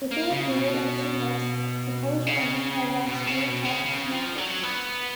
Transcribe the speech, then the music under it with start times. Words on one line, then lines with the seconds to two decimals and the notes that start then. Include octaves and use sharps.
Within a period of two months, the Polish Army had lost three top commanders.
0.11 A#3
0.30 C#3
0.49 B2
2.26 C#3
3.06 B2
3.26 C#3
3.45 B2
3.64 C#3
3.85 C#3
4.11 F3
4.38 F#3
4.63 B3